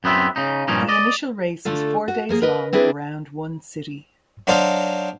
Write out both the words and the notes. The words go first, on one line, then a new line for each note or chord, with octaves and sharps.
The initial race was four days long around one city.
F#2 B3 C4 E5
C#3 D#4
G2 A#2 F3 C#4 D#4
D5 D#5
D3 A3 F4 A4
F#4
F3 A#3 G#4
A#4 B4 D#5
C4 D4 E4 G#4 B4
F#3 D4 D#4 C5 D5 F5